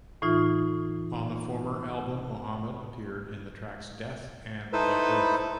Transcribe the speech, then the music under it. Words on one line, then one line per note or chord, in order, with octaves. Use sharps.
On the former album, Muhammad appeared in the tracks "Death" and "The Birth".
A2 E3 D#4 F4
D#4 E4 A4 B4 C5